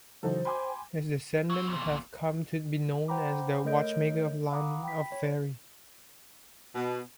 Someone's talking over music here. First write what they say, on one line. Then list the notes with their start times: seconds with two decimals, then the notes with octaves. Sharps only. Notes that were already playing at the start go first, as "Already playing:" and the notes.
His "descendants" have come to be known as the Watchmaker line of Feri.
0.23 C#3 E3 F#3 D#4 F#4 A4 C5
0.45 G5 G#5 B5 C6 D6
1.50 F#3 C4
1.68 E2 A#2
3.08 C5 F#5 G5 A#5 B5 D6
3.65 A3 A#4 C#5 D#5 G6 D7
4.52 F5 F#5 A#5 B5 D6 D#6
4.84 G5 B5 B6
5.12 C#5
6.75 B2